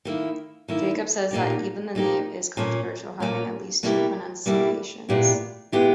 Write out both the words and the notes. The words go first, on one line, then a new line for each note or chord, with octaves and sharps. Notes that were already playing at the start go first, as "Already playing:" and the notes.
Jacobs says that "even the name" is controversial, having at least two pronunciations.
D#3 A#3 E4
D#3 A#3 E4
A#2 A#3 D#4 G4
A#2 A#3 D#4 G4
A#2 A#3 C#4
A#2 A#3 C#4
B2 G3 A#3 E4 G4
B2 G3 A#3 E4 G4
A#2 G#3 B3 E4 G4
A#2 G#3 B3 E4 G4